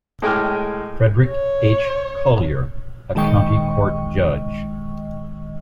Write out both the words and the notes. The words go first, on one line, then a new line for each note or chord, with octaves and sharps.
Frederick H. Collier, a county court judge.
A2 G#3 G5 G#5 D6 F6
C#5
A#1 D#3 G#3 D#5 G5 C#6